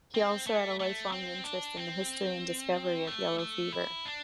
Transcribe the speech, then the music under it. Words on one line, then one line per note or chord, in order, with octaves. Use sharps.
He also had a lifelong interest in the history and discovery of yellow fever.
C4
A3
A3
C4
D4
C4
A3
A3
E4
D4